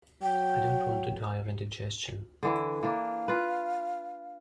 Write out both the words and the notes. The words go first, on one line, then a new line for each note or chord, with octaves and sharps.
I don't want to die of indigestion.
F#3 G5
D3 E3 E4
E3 A#3 D4 F5
F4 B4